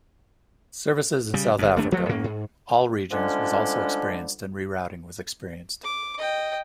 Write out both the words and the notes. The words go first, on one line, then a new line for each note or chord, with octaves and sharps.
Services in South Africa, all regions was also experienced and rerouting was experienced.
C#3 G3
G1 F2
G1 D#2 A3 D4
G1 F3 F#3 A3
G#2 A#3 C#4
G#2
D3 F3 G3 G#3 C#4 D4
D6
D#5 G5